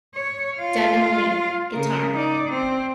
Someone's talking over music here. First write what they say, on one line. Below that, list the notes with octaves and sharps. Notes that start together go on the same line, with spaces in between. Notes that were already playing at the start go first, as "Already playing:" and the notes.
Devin Lee, guitar.
C#5
F4 F5
C#3 A#4
D#4 D5
C4